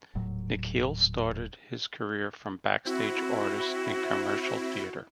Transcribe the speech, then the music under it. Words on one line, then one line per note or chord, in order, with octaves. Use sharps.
Nikhil started his career from backstage artist in commercial theater.
D#1 A2 F#3
C4 E4 F#4